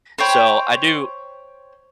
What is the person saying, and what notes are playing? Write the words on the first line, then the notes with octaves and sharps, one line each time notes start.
So, I do
C5 C#5 G5 B5